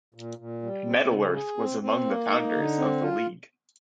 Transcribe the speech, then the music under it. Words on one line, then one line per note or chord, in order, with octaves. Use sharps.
Metalurh was among the founders of the League.
A#2
A#2
G3
C4
C#3
G#4
C4
C4
A#3
D#4
D3
C4
F4